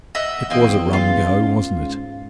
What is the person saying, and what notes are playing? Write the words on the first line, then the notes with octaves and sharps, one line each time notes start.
It was a rum go, wasn't it?
D#5 E5 F#5
E2 A#3 C4 D#5
F4
C#4
G#2